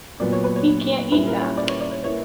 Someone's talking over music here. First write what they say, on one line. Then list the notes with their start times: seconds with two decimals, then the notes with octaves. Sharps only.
He can’t eat that.
0.20 A#2 F#3 B3 D5
0.32 C#5
0.44 B4
0.56 C#5
1.12 A#2 G3 C#4 E4 B4
1.27 A#4
1.42 C#5
1.57 D5
1.68 C#5
1.81 D5
1.92 C#5
2.03 A#3 E4 B4 C#5